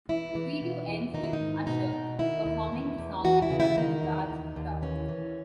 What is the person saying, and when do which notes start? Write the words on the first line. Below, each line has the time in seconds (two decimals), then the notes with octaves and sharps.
The video ends with Usher performing the song in front of a large crowd.
0.09 E3 E4
0.35 E3
0.62 B2
0.88 E2
1.14 D#3 D#4
1.24 E4
1.33 D#4
1.40 G#2
1.66 B2 D#4
1.93 B2
2.19 D#3 E4
2.46 D#2
2.72 E2
2.98 E2
3.24 E3 F#4
3.42 E4
3.51 C#3
3.60 E4
3.77 D#3 D#4
4.03 E2
4.30 D#2
4.56 D#2
4.82 E3 C#4
5.09 E3